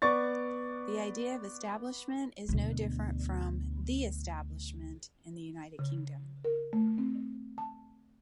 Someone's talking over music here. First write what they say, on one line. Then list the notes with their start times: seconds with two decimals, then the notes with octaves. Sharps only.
The idea of Establishment is no different from "The Establishment" in the United Kingdom.
0.02 B3 D5 C#6 A6
2.49 D2 B2
5.79 C#3
6.45 A#4
6.73 A3
6.98 C4
7.58 A5